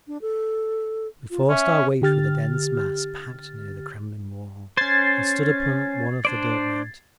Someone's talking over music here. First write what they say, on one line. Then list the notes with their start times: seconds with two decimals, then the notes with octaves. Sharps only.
We forced our way through the dense mass packed near the Kremlin wall, and stood upon one of the dirt-mountains.
0.08 D4
0.22 A4
1.31 F4
1.50 C#4 E5
2.02 D3 G4 F6 A6
4.77 C#4 C5 G#6 A6 C7
6.25 D4 C5 D5